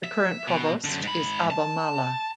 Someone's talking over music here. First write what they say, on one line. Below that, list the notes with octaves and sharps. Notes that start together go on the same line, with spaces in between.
The current provost is Abba Mala.
E5
B2
F#2 D3
G#2 B5
A5